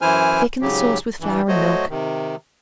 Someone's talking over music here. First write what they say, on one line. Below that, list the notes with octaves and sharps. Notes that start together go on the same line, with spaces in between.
Thicken the sauce with flour and milk.
F#2 E3 E4 C5 G#5 F6
G#2 C#3 F#3 G4
G2 E3
F#3 A3 F#4 C5 C#5 D#5
C3 D#3